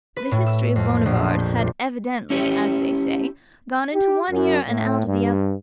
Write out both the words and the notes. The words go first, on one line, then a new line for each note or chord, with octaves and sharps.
The history of Bonivard had evidently, as they say, gone into one ear and out of the other.
B4
A2
E6
F2
A#1
G6
A#2
C#4 E4 G4 C#5
G4
F#2
A2
G2